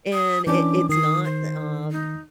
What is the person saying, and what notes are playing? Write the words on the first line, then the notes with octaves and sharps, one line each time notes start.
and it it's not, uh,
D#6
E3 C#4 D4 D6
D#3 D#6 C7
C5
D#4